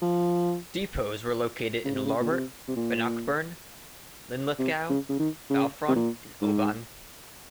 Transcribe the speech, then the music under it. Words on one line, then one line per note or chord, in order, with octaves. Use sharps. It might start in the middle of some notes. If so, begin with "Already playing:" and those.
Depots were located in Larbert, Bannockburn, Linlithgow, Balfron and Oban.
F3
C#3
C3
C#3
A#2
C3
C3
A#2
C3
C#3
C#3
D#3
C#3
C3
A#2
G#2